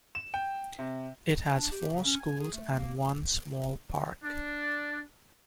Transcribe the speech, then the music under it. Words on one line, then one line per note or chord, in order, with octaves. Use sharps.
It has four schools and one small park.
E7
G5
C3
D4
G4
C#3
C#4
G#5
G#4
A3
A#3
D4